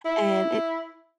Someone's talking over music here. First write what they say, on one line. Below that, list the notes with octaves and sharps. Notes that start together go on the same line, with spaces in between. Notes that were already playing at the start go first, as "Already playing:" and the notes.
and it
E4